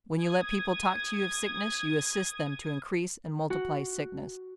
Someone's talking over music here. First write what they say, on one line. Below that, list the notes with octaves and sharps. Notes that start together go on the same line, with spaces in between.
When you let people talk to you of sickness, you assist them to increase and multiply sickness.
D#6 G#6
F#4